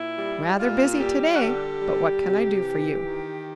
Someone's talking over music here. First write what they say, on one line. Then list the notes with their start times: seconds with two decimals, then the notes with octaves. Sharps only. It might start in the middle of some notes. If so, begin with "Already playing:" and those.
"Rather busy to-day, but what can I do for you?"
Already playing: A#2 E4
0.18 G3
0.59 A#2 F4
0.99 G3 G4
1.34 F#4
1.41 D3 G4
1.82 G3
2.21 C3
2.62 E3
3.04 D#3